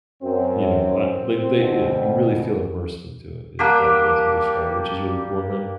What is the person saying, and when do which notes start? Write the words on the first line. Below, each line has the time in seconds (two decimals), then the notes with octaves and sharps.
you know uh, they they yeah, you really feel immersed into it, is probably the best way to describe it, which is really cool, and then
0.23 F#2 C4
1.60 D2 B2
3.59 G3 A#3 D4 G4